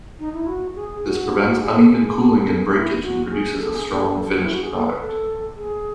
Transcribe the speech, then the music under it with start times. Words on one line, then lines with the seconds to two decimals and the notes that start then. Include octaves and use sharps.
This prevents uneven cooling and breakage and produces a strong finished product.
0.19 D#4
0.34 E4
0.47 F#4
0.75 G#4
1.04 F#4
1.49 F#4
1.60 G#4
1.75 A4
1.89 G#4
2.46 A4
2.55 G#4
2.65 G#4
2.74 E4
3.02 F#4
3.30 G#4
3.59 A4
3.73 G#4
3.87 A4
4.15 A4
4.29 F#4
4.43 E4
4.53 F#4
4.63 G#4
4.72 A4
4.86 B4
5.01 A4
5.56 G#4